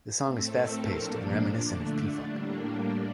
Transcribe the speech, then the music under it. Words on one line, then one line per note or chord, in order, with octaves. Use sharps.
The song is fast-paced and reminiscent of P-Funk.
A2 A3 C4 A4
A#4
A#2 F3 A#3 D4
D3 A3 D4
A2 G3 A#3 D4